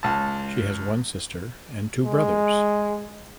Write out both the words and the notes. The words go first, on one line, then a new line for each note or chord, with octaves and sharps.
She has one sister and two brothers.
C#2 A5
G#3